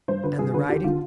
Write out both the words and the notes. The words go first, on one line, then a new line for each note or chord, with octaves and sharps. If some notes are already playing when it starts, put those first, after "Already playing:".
"And the writing?"
G2 C5
D3 B4
G2 G#4
D3 B4
D#2 G4
D3 F4